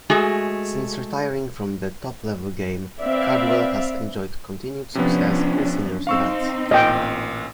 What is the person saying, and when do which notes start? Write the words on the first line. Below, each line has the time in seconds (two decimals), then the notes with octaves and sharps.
Since retiring from the top-level game, Cardwell has enjoyed continued success in seniors events.
0.10 G#3 A3 F#4 G#4
3.00 C4 B4 D5 E5 F5
4.95 C3 F3 B3 C#4 D4
6.07 C4 D#4 F5 C#6 E6
6.71 A1 A#2 D#5 G5